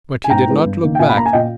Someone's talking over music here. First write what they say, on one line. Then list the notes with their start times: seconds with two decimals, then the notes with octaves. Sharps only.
But he did not look back.
0.24 G#5
0.29 G#2 G5 A#5
0.47 E3 G#3 B3
0.65 G2
0.82 D#3 A#3
0.95 G5
0.99 A#2 E5 G#5
1.09 B5
1.16 A#3 A#5
1.26 G#5
1.33 A#2 D#5 G5